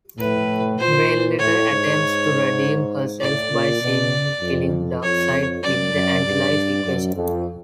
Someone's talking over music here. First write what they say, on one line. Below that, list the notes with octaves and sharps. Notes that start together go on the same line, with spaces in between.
Grail later attempts to redeem herself by seemingly killing Darkseid with the anti-life equation.
A2 B4
A#2 C5
A2 C#5
G#2
A2 D5
A#2
B2
F2
F2 C#5
F#2 D5
F#2
G2
F#2
F2